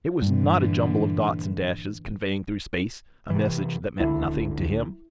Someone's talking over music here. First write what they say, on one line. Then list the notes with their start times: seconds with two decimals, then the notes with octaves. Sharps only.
It was not a jumble of dots and dashes, conveying through space a message that meant nothing to him.
0.22 G2 A#2 D3 E3
3.30 C3 E3
4.00 C#2 D3 E4